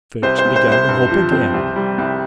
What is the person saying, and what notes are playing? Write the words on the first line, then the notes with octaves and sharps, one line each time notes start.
Fix began to hope again.
C2 C5
C5
C2
C5
C2 C5
G2
F3
C4
C2
G3
C2